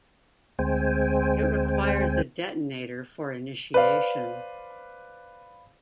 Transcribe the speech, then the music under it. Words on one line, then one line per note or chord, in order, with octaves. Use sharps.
It requires a detonator for initiation.
D2 G#3 C4 C5 G5 G#5
B4 C5 D5 F5